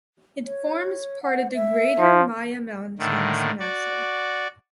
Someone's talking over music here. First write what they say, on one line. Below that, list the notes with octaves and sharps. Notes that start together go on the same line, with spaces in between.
It forms part of the greater Maya Mountains massif.
C#5
F#5
E5
F3
A2 D3 D#3
F#4 D5